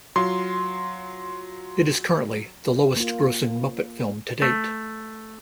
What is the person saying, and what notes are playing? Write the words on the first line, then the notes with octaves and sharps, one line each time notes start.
It is currently the lowest-grossing Muppet film to date.
F#3 F4 C6
A#3 F4
A3